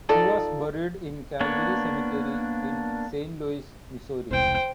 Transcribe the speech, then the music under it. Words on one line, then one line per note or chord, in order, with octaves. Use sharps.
He was buried in Calvary Cemetery in Saint Louis, Missouri.
D#4 F4 A4 D5
A#3 B3 D4 C#5
E1 C2 C5 G5